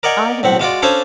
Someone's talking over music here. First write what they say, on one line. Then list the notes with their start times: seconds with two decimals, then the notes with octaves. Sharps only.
"I have no one."
0.03 A#4 D5 D#5 F#5 G#5
0.43 B1 A2 C4 F#5
0.60 G#3 F4 F#4 D5
0.82 C#4 D4 A4 C5 F5 G#5